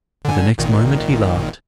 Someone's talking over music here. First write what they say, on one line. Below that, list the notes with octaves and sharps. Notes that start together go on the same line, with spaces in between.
But the next moment he laughed.
D3 G#5
G#1 A#2 D#3